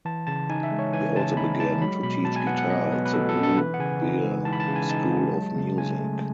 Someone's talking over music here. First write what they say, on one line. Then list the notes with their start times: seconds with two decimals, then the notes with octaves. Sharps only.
He also began to teach guitar at the Blue Bear School of Music.
0.05 E3 A5
0.27 C#3 A5
0.50 D#4 G#5
0.63 E5
0.71 G#3
0.79 C#5
0.93 E3 G#5
1.16 C#3 A5
1.37 D#4 B5
1.59 G#3 A5
1.81 F#3 B5
2.03 B2 B5
2.25 B2 A5
2.36 G#5
2.47 B3 F#5
2.58 F#5
2.70 F#3 D#5
2.92 B2 B4
3.05 B4
3.13 B2 A4
3.29 A4
3.36 B3
3.43 A4
3.58 E3 B4
3.74 F#5
3.79 C#3 G#5
4.02 D#4
4.23 G#3
4.45 E3 A5
4.53 B5
4.60 A5
4.68 C#3
4.76 G#5
4.89 D#4 A5
5.12 G#3
5.34 F#3
5.56 C#3
5.78 C#3 G#5
6.00 A3